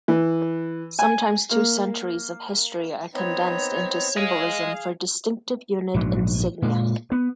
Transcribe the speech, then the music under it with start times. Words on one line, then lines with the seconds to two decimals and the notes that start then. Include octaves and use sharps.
Sometimes two centuries of history are condensed into symbolism for distinctive unit insignia.
0.08 E3
0.99 G#5
1.51 A#3
3.14 B3 C4 D#4 C#5
4.17 G#4 D#5 F5 G#5
5.94 A#1 G#2 F3 F#3
6.62 A#2 G#3
7.12 B3